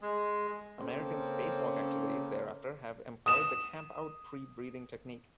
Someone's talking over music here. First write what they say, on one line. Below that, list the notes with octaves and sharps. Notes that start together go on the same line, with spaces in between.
American spacewalk activities thereafter have employed the "camp-out" pre-breathing technique.
G#3
C#3 A#3 C4 C#4 A4
D#6 E7